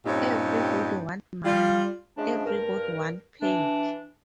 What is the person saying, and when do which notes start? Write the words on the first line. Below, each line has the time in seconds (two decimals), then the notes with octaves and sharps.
Everybody want money, everybody want paid.
0.06 G2 A#2 C4 C#4 D#4 G4
1.45 G3 F4
2.17 C#3 F3 G#3 A3 C#4 D4
2.46 G2 A#4
3.42 E3 D4